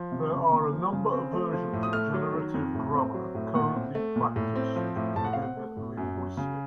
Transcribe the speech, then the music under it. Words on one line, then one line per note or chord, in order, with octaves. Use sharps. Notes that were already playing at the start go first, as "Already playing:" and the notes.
There are a number of versions of generative grammar currently practiced within linguistics.
Already playing: F3
C3
C#3
A#3
F3
C#3
C4
A3
F3
A2
D#6
A3 F6
F#3
D#3
F2
A2
C4
F#3
A2
A#2 F#5
C4
A3
A#2
A2
C4
F3
A2
A2 A5
F#5
C4 F5
F#5
A3
A2
F#2
F#3
C#3